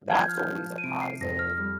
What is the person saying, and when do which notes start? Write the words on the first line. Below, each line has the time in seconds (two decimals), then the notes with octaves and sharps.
that's always a positive.
0.11 F3 G#6
0.19 G6
0.28 F6
0.38 G6
0.47 F3
0.78 D#7
0.83 C3 D7
1.02 C7
1.20 F2 A#6
1.39 F6
1.58 G3 F6